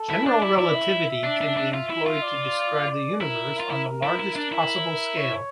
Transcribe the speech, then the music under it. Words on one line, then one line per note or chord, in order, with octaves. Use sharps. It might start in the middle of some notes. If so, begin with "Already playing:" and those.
General relativity can be employed to describe the universe on the largest possible scale.
Already playing: A4
E4
D4 D5
E4
E4
E5
D4
D4
D4
F4 E5
E4
F4
D5
E4 A#4
F4
E4
E4
E4
D4
E4
C#5